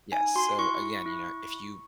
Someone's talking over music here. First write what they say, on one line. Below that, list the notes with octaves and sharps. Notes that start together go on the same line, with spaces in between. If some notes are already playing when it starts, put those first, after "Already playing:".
Yes. So, again, you know, if you
D#4 G#5
F#4 C6
E4 C#6
E4
E4